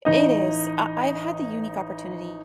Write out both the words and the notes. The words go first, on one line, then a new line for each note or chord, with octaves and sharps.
It is, I I've had the unique opportunity
A1 D#4 D#5